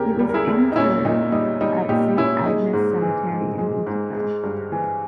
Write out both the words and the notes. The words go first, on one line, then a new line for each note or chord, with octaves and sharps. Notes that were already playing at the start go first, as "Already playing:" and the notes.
He was interred at Saint Agnes Cemetery in Utica.
Already playing: E2 C#3 G4 A#4
G3
A#4
E4 G#4
E2
D#4
A#2 C#4 E4
A#2 D#4
G3 D#4
G3 D#4
A#2 D#4 G4
A#2 C#4 E4
G#3 D#4
G#2
E3
G#2
G#3
G#2
G#3
G2
E3